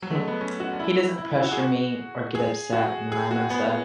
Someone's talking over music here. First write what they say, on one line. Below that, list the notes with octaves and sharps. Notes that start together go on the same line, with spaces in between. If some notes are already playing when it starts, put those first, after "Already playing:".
He doesn't pressure me or get upset when I mess up.
F#3
A3
G#3
B3
C#4
F#4
D4
E4
E4
E4
F#4
G#4
F#4
G#4
F#4
G#4
F#4
B3